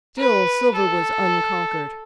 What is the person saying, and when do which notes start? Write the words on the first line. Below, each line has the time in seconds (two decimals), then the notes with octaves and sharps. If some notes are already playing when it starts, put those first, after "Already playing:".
Still Silver was unconquered.
0.18 B4
0.75 A4